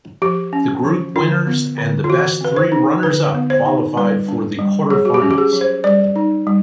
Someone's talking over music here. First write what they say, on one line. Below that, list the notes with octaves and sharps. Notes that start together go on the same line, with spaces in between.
The group winners and the best three runners-up qualified for the quarterfinals.
F3 G4
C#4
F3
D3 F4
B3
D3
F4
E3 F#4
C4 B4
C5
D#4
D3 B4
B3
C5
D#4
G3 B4
D4
G3
F#3 G#4
F#4
G4
C#4
G4
G#4
F#3
C5
G3 D5
D#4
G3